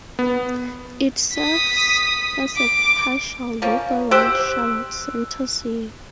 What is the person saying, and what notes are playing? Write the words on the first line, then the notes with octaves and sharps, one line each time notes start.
It serves as a partial loop around Charlotte center city.
B3
D#6 B6
D6
F3 A#3 C#4
G4 C5 E6 F#6 D7